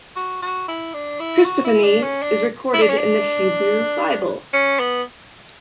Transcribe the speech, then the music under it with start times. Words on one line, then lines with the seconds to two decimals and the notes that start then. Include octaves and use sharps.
Christophany, is recorded in the Hebrew Bible.
0.16 F#4
0.42 F#4
0.68 E4
0.94 D4
1.20 E4
1.45 F#4
1.65 E4
1.83 D4
2.03 C#4
2.22 D4
2.74 E4
2.82 D4
2.90 C#4
2.98 D4
4.53 C#4
4.79 B3